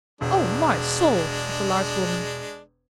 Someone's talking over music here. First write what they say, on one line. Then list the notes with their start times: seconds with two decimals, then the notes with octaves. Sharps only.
"O my soul!" said the large woman.
0.21 E1 G#3 D4